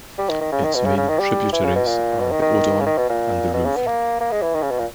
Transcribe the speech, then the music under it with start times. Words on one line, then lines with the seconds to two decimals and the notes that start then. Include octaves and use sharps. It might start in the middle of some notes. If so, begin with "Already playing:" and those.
Its main tributaries are the Odon and the Rouvre.
0.19 G3
0.29 D#3
0.41 D#3
0.52 C#3
0.63 D#3
0.75 B2
0.85 C#3
0.97 C#3
1.08 D#3
1.19 G3
1.53 E3
1.64 C#3
1.75 B2
1.86 A#2
2.19 B2
2.31 D#3
2.42 D#3
2.80 C#3
2.86 D#3
2.97 B2
3.10 A#2
3.54 B2
3.65 C#3
3.76 B3
3.87 A#3
4.20 A#3
4.32 G#3
4.42 E3
4.54 D#3
4.62 C#3
4.71 B2
4.79 A#2